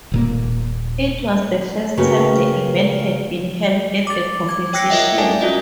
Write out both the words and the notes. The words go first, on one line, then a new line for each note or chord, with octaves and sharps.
It was the first time the event had been held at the competition.
D#1 A#2 A#3
C#3 A#3 F#4 G4 A#4 B4
D6 A6
D6 G#6
C#5 G5 E6 F#6 A#6 C#7
F4 A#4 C#5 D#5 E5 F#5
A4 A#4 D5 E5 G#5 A5
C#4 F4 F#4 D5 D#5 A5